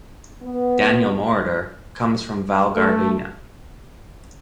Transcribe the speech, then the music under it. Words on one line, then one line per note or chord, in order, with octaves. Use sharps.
Daniel Moroder comes from Val Gardena.
B3
A3